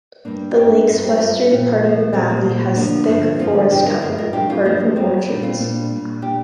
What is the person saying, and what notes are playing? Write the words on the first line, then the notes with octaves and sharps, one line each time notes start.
The lake's western part of the valley has thick forest cover, apart from orchards.
G2 G3 A#3 D4
G2 G3 D4 G4
G2 G3 F4 A#4
G4 C5
G2 G3 F4 A#4
A#2 F3 C4 F4
A#2 F3
A#2 F3 G3 C4
A#3
A#2 F3
G2 D3 F3 A#3 D4
G2 D3 F3
G2 D3 F3 C4 F4
G2 D3 F3 D4 G4
F4 A#4
G2 F3 F4 A#4
F4 A#4
G2 F3 D4 G4
C4 F4
G2 F3 A#3 D4
A#3
G2 F3 G3 C4
A#2 G3 A#3 D4
C4 F4
A#2 G3 A#3 D4
A#2 G3
A#2 G3 D4 G4